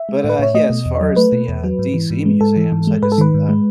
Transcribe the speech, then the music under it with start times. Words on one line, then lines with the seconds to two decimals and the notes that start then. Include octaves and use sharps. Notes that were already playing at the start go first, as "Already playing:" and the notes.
but, uh, yeah, as far as the, uh, DC Museums, I just, uh
Already playing: E5
0.09 G#3
0.24 A2
0.29 B4
0.39 A2 C#5
0.54 A3 D#5
0.70 B2
0.86 E2
1.01 F#3
1.16 A3 B4
1.32 B2
1.48 E2
1.64 F#3
1.79 G#2
1.94 E3
2.10 G#2
2.26 G#3
2.41 G#2 A4
2.57 E3
2.72 G#2
2.87 G#3
3.03 G#2 B4
3.12 A4
3.18 D#3 B4
3.34 G#2
3.49 G#3